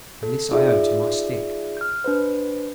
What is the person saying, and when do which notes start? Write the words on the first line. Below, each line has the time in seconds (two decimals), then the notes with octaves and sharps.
And this I owe to my stick.
0.23 A4
0.51 D#4 F4 G#4 D5 E5
1.77 F6 G6
2.04 D4 B4 C5